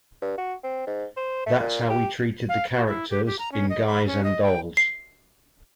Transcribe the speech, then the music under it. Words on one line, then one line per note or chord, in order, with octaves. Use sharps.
That's how we treated the characters in "Guys and Dolls".
G2
F#4
C4
G#2
C5
A3
A#2
G4
F5
F#4
E4
G4
G4
A#5
C#4
D#5
B5
C#4
D#5
G5
C7